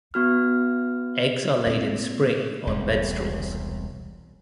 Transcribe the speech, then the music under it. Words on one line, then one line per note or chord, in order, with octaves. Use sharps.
Eggs are laid in spring on bedstraws.
B3 F#4 F6
A#2 C4
E1 C2 B2